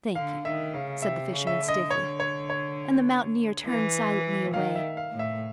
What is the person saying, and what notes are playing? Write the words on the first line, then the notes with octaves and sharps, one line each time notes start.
"Thank you," said the fisherman stiffly, and the mountaineer turned silently away.
D3 F5
D#3 E5
C#3 F5
C3 E5
C#3
E5
D3
D#5
C#5
C#5
C#5
E3
D#3 F5
E5
F5
A2
E5